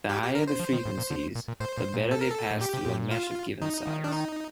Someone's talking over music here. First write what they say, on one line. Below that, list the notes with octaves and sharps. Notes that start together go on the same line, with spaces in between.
The higher the frequencies, the better they pass through a mesh of given size.
G4
G4
A#4
C5
F3
D#3
A2
A#2
D3
A#2
A#2
A2 C5
A#2
A#2
A4
A#4
A4
A2
A#2 G4
C3
A#2
A2
A#2
F4
D#3 D#4
D#3
D4
D#4